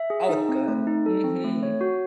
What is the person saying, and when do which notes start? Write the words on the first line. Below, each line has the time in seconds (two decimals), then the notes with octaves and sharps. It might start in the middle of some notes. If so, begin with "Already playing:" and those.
Oh, it's good. Mhm.
Already playing: E5
0.10 G#4
0.29 D#4
0.49 C4
0.68 A3
0.87 D#4
1.06 A4
1.24 C4
1.44 A3
1.63 C#5
1.81 F#4